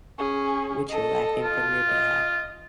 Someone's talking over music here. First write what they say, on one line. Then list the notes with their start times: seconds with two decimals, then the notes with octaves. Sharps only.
what you're lacking from your dad."
0.18 C#4 G#4
0.90 A4 D#5
1.43 F4
1.89 D#5